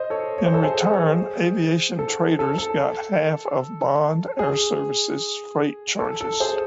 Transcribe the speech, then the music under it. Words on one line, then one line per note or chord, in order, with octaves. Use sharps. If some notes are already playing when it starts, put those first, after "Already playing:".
In return, Aviation Traders got half of Bond Air Services' freight charges.
Already playing: C5 D#5
A4 C#5
C#5
C5
A4
G#4 C5
A4
A4
A4
G#4
A4
A4
G#4 C5